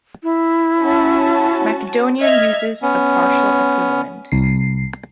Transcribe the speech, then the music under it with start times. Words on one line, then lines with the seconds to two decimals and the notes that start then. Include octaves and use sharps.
Macedonian uses as a partial equivalent.
0.23 E4
0.80 C#4 F#4 A5
2.21 D#5 E5 F6 G#6
2.82 B3 C#4
4.32 C2 C7